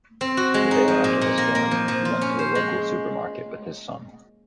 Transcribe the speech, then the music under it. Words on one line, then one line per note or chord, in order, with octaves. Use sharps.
The day after the storm, he went to a local supermarket with his son.
C4
F#4
G#3
D#4
F3
A#2
A#2
A#3
A#3
F3
F3
F4
C#4
C5
G#3